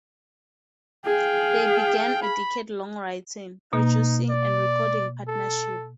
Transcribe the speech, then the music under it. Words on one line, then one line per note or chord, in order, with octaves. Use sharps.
They began a decade-long writing, producing, and recording partnership.
G#4 F5 G5
B5
B2 A#3 D#4
D5
A4